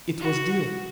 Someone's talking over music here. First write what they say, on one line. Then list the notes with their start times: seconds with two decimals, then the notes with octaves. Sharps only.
It was Dea.
0.21 F#4